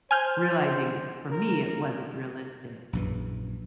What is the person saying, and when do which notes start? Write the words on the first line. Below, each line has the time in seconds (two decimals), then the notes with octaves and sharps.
realizing, for me, it wasn't realistic,
0.11 C5 G#5 F6 G6
1.31 A#4
2.93 A#1 F#2 E3